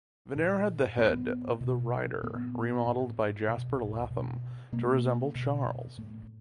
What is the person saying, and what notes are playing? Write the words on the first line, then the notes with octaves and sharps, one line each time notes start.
Vyner had the head of the rider remodelled by Jasper Latham to resemble Charles.
A#2
A2 B3
B2
A#2 B3
A2
B2
B2
B2 A#3
B2
A2 A3